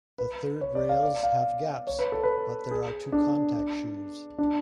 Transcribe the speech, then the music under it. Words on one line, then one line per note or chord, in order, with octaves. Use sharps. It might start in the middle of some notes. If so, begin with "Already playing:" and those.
The third rails have gaps, but there are two contact shoes.
B4
C#5
D5
F5
D5
F5
C#5
B4
A4
B4
G#4
D4
D4